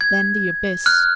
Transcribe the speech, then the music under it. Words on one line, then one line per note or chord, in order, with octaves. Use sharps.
Then the abyss.
G#6
F6 F#6